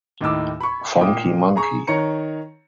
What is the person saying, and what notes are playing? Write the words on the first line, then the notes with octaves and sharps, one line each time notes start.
Funky monkey.
D#2 A2 D#4 D6 E6
B5 C#6
A#2 G5 D6 D#6
G#4 A#5 C#6
D#3 C#5 A#5 C#7